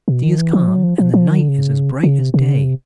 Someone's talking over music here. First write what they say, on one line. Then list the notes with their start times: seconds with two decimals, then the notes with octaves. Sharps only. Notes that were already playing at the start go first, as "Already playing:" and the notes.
The sea is calm and the night is as bright as day.
0.08 B2
0.23 D#3
0.38 E3
0.53 F3
0.68 F#3
0.83 F3
0.98 F3
1.14 F3
1.28 D#3
1.39 D3
1.49 C#3
2.03 C#3
2.19 C3
2.34 C3
2.49 C#3
2.64 C3